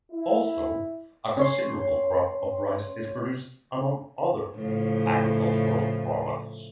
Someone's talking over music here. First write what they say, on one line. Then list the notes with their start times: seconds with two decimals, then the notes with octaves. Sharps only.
Also a considerable crop of rice is produced among other agricultural products.
0.11 E4
1.37 C#4 C#5 C6
4.55 A2 C#3 F3